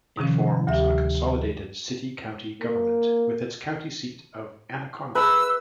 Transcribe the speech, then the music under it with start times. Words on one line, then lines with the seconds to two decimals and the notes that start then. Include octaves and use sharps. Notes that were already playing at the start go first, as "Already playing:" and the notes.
It forms a consolidated city-county government with its county seat of Anaconda.
0.17 C3 D#3 F3 C#4
0.67 D2 G3 G4 E5
2.62 A#3
5.15 B4 E6